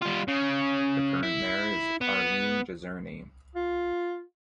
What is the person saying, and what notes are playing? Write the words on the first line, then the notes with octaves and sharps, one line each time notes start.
The current mayor is Arlene Jezierny.
G3 F4
C#3
E4
B3
F4